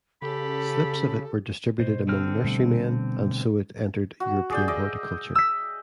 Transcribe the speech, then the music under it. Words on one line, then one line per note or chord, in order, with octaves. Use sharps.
Slips of it were distributed among nurserymen and so it entered European horticulture.
C#3 G4 A4 B5
B2 C5
D3 C4 F6
B2 G3 A3
F#4
G#4 D5 G5
D#5 E5 D6
E6 B6